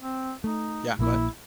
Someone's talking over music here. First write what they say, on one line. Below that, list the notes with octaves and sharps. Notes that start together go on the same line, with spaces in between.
Yeah, go ahead.
C4
A3 D#4
A#1 A#3 E4